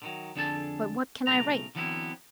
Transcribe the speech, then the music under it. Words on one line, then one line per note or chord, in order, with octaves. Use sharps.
But what can I write?
D3 D#3 F#3
F2 D3 D4 G#4 A4 A5
B1 C#3 A3 A#5
D3 E3 F#3 B3 C4 E4